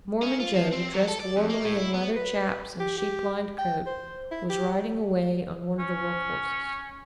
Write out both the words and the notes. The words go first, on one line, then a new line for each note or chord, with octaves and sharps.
Mormon Joe, dressed warmly in leather "chaps" and sheep-lined coat, was riding away on one of the work horses.
C#4
F4
F3
C4
F#3
A4
D5
F2
A#3
A2
E4
B3
B4
G4
G4
G5
C5
E4
G4
C#4